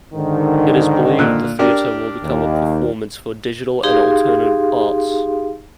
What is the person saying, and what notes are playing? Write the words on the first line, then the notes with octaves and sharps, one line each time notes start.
It is believed the theater will become a performance for digital and alternative arts.
G#2 D3 D#3
A#2 E6 F#6
D4 G4 A#4
D#2
D#4 G4 G#4 F5 C6